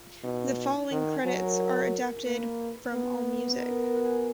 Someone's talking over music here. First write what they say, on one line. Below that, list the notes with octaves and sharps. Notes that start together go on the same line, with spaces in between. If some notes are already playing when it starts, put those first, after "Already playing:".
The following credits are adapted from AllMusic.
Already playing: F4
B2 D#4
D#3 F#4
G#4
F#3
A#4
A#3 B4
B3
A#4
A#4
F#4
G#4